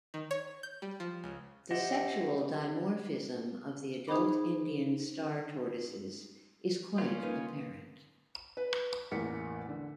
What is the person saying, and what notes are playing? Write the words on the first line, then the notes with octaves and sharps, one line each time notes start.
The sexual dimorphism of adult Indian star tortoises is quite apparent.
D#3
C#5
G6
G3
F3
C#2
G4 C5 D#5 E5 F#5
D#4 G#4 C5 B5 D6
A#3 C#4 F4
A#3 D#4 B4
B4
A1 E2 A#3 B6 C#7
D3